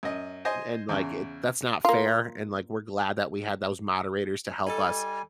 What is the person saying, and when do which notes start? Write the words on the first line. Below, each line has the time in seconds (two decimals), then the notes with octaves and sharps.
and, like, eh, that's not fair, and, like, we're glad that we had those moderators to help us,
0.03 F#2 D#5
0.45 C5 D#5 G#5
0.89 E2 C#3
1.85 A#3 F4
4.67 G3 D#4 A4 G#5